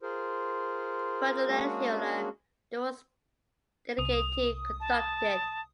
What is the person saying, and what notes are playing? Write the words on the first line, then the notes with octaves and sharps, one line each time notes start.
Ferdinand Hiller, the work's dedicatee, conducted.
F4 G#4 A#4 C5
G#3 A#3 C#4 D4 F#4 G#4
C2 D#6 F7
A5